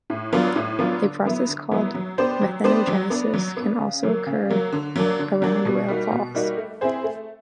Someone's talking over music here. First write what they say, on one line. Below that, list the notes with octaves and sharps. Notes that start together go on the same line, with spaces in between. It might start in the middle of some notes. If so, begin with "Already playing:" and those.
A process called methanogenesis can also occur around whale falls.
A2
F#3 B3 D4 F4
A2
F#3 B3 D4 F4
D3
F#3 B3 E4
D3
F#3 B3 E4
F#3
B3 D4 G4 C5
F#3
B3 D4 G4 C5
F#3
B3 D4
F#3
B3
D4
C#3
F#3 A#3
C#3
F#3 A#3
D3
F#3 A#3 D4
D3
F#3 A#3 D4
B2
G3 A#3 D#4 F#4
B2
G3 A#3 D#4 F#4
A3
C4 E4 G#4 C5
A3